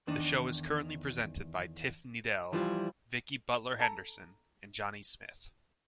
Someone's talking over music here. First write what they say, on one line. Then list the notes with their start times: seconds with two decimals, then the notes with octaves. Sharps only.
The show is currently presented by Tiff Needell, Vicki Butler-Henderson and Jonny Smith.
0.07 E2 D#3 D4 D#4
2.52 E3 F3 G3 E4 F4
3.79 A4 A5 A#5